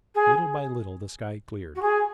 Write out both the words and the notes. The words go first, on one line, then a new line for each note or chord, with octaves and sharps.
Little by little the sky cleared.
G#4
F#4
G#4